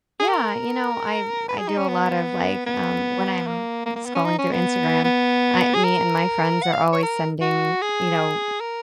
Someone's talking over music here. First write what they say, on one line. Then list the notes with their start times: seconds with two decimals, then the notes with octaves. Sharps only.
Yeah, you know, I I do a lot of, like, um when I'm scrolling through Instagram, I me and my friends are always sending you know,
0.20 G#4
0.29 A#4
1.49 B4
1.58 G#4
1.68 D#4
1.78 C#4
1.88 B3
2.67 B3
3.47 A#3
3.86 A#3
3.96 A#3
4.06 B3
4.15 C#4
4.25 D#4
4.39 C#4
4.52 B3
5.05 B3
5.74 G#4
5.84 A#4
6.63 F#5
6.73 F5
6.93 C#5
7.03 A#4
7.41 F#4
7.82 G#4
8.61 A#4